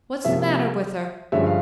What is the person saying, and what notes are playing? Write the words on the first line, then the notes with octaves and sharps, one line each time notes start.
What's the matter with her?
C3 F3 A#3 C#4 E5
G2 D3 F3 G#3 C#4 E5
F5